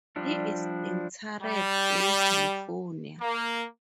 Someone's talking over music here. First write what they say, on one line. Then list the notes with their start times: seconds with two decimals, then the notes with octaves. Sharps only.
He is interred in California.
0.16 F3 G3 D4 E4
1.41 G3
3.21 A#3